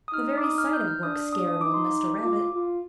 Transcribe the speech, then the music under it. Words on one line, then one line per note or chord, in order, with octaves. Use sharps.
The very sight of work scared old Mr. Rabbit.
D#6
D#4 F6
D6
D#6
F6
G6
F6
D4 D#6
D#6
D#6
D#4 D6
C6
D6
F4 D6
F4